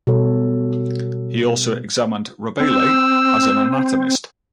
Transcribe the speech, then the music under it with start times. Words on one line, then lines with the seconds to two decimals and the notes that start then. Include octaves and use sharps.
He also examined Rabelais as an anatomist.
0.07 B2 G3 A4 C#5
2.60 C4 E6